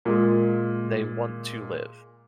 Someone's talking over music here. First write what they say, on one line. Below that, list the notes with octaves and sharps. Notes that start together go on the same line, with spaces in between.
They want to live.
A#2 G#3